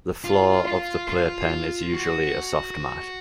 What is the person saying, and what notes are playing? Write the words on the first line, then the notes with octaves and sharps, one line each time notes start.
The floor of the playpen is usually a soft mat.
F4
F4
F4
F#4